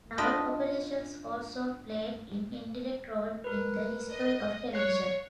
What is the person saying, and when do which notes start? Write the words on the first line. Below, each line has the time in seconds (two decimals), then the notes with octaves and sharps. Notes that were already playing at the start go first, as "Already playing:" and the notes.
Naval Operations also played an indirect role in the history of television.
0.18 D4 F4 D5 D#5 A5 B5
3.44 A#4 B4
4.11 D#5
4.74 C#5 C#6 F#6 C7